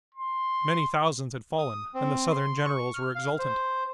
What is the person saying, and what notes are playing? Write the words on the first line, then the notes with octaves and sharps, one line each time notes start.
Many thousands had fallen and the Southern generals were exultant.
C6
D#6
C4
C6
C#6
F6
F5
C5